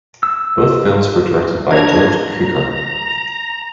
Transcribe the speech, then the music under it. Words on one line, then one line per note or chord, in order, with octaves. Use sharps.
Both films were directed by George Cukor.
E6
D4 A#5 G#6
A#5